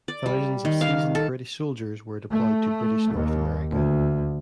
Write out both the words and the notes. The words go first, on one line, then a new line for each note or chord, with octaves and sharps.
Thousands of seasoned British soldiers were deployed to British North America.
D5
G3
D#3
F5
A4
A3
D#2
D2